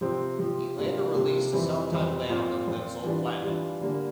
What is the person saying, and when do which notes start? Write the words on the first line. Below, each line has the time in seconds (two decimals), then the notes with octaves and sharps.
He later released a self-titled album that sold platinum.
0.01 C3 F3 C4
0.38 C3 F3 C4
0.77 C3 G3 A#3 D4 F4
1.15 C3 G3 A#3 D4 F4
1.53 F2 E3 G3 C4 E4
1.91 F2 E3 G3 C4 E4
2.29 A#2 F3 C4 F4
2.67 A#2 F3 C4 F4
3.05 E3 G3 D4 F4
3.43 E3 G3 D4 F4
3.81 D3 G3 A#3 D4